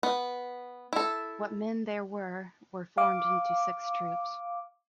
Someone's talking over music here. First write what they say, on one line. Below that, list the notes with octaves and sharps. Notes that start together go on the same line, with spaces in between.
What men there were, were formed into six troops.
B3
E4 A4
F5 D6